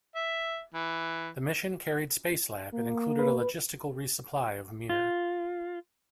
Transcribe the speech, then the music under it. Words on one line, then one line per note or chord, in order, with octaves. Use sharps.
The mission carried Spacelab and included a logistical resupply of "Mir".
E5
E3
A#3
B4
F4